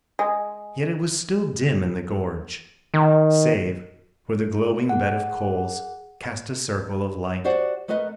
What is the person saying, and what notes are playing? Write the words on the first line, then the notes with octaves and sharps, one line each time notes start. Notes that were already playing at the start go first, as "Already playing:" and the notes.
Yet it was still dim in the gorge, save where the glowing bed of coals cast a circle of light.
G#3
D#3
G#4 F#5
F#4 G4 C5 D5 F#5
A3 B3 A#4 B4 D#5